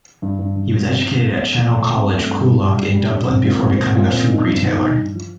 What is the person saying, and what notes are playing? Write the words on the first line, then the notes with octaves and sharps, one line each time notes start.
He was educated at Chanel College, Coolock in Dublin before becoming a food retailer.
G2
G2
G2
F3
C4
G2
A3
A3
F3
A3
C4
A3
G2
G3
G3
G3
G3
G2
C4
A#2
C4
C4
A#2
C4
D#4
G2
D#4
D#4
G2
F3